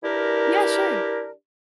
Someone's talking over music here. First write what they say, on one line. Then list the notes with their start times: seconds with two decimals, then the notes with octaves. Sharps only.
Yeah, sure.
0.03 E3 D4 E4 G4 A#4